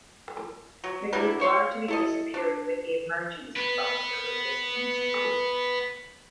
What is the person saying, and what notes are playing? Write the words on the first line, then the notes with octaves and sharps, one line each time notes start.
The group largely disappeared with the emergence of Ulster Resistance.
F#3
F#3 G3 D4 E4
C5 C#5 F5 C6
E4 A4 D#5
D4
B3 B4